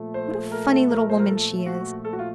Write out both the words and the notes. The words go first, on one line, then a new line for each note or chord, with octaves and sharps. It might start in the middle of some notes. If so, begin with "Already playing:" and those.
What a funny little woman she is.'
Already playing: A#2 F3 A3
C5
A#4
A4
A#4
C5
A#4
A4
F#4
A4
F#4
F4